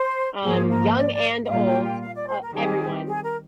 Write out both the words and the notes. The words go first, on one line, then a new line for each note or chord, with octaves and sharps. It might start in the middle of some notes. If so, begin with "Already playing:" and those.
um, young and old, uh, everyone,
Already playing: C5
G#2 F3 A#3 G#4
A#4
D5
D5
D#5
A#2 G3 A#3 F4 F5
G5
G5
F5
D5
C5
A#4
D#3 G3 C4 G4 G#4
G#4
A#4